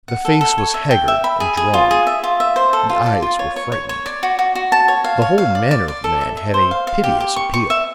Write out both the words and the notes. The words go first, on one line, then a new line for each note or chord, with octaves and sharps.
The face was haggard and drawn; the eyes were frightened; the whole manner of the man had a piteous appeal.
F#5
A4
A4
C#5
E5
G5
E5
B5
G#4
G#4
F4
G#4
E5
F4
E5
C5
A4
F4
D5
F4
C#5
C#5
C#5
C#5
D5
F#4
F#4
F#4
A5
C#5
F5
C#5
F5
D5
D5
D5
A4
E5
E5
C5
F5
F5
G4
G4
C#6
C#6
E5